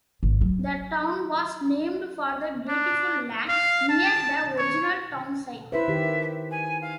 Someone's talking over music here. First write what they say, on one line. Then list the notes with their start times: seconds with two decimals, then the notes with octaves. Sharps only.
The town was named for the "beautiful land" near the original town site.
0.23 G#1
0.41 F#3
2.68 D4
3.49 F5
3.90 A5
4.58 C#5
5.72 E4 B4 C5 E5
5.88 D#3 G4
6.51 G#5
6.82 F5